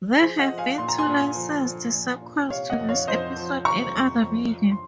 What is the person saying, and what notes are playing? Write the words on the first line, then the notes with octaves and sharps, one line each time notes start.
There have been two licensed sequels to this episode in other media.
F3 G#4 C5
D#5 F#5
F3
F5 G#5
A#2 C6
A#5
G#5 C6
A#2
F3
F3
A#2
A#2
C3 C#5 F5
D#5 F#5
F2
C#5 F5
F2 C5 D#5
F3
C3 A#5 C#6
F2
F2
F3
C6